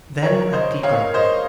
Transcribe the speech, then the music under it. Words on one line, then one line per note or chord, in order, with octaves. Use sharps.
Then a deeper matter.
A#4 C#5
C5 D#5
C#5 F5
C5 D#5